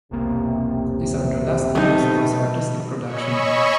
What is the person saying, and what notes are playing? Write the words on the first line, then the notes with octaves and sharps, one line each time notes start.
These are the last years of his artistic production.
E1 B1 C3 A#3
B2 F#3 A3 D#4
C#5 D#5 G#5 B5 C#6 E6